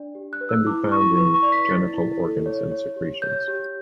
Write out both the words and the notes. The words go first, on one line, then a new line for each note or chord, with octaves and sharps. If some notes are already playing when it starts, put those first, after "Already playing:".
Can be found in genital organs and secretions.
Already playing: D4 D5
G4
F#6
B4
E6
E4 D6
E4 C#6
B4 C#6
C#6
D5
B6
E4 A6
E4
A4
C#5
C#5
G4
C#5 G6
G4